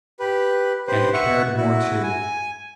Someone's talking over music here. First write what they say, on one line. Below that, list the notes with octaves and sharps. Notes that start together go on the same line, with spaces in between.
And cared more too.
G4 B4
G4 B4 C5
E5 F#5 C#6
E4 F#4
G#5